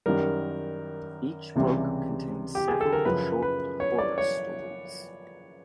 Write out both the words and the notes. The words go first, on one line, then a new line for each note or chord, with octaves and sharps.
Each book contains several short horror stories.
F#2 D#3 G3 A#4
C#2 C3 E3 G3
G4
G#4
A4
A#4
F#2 C#3 F3 B4
B4
C#5
D5
C#5